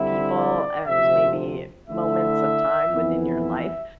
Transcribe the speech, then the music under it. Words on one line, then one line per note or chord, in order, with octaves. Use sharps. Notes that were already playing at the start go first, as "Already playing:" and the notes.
people and maybe moments of time within your life,
Already playing: D3 G3 C4 E4 E5
D5
D2 C3 F3 E5
D3 A3 E4 E5
F2 E3 B3 E4
E5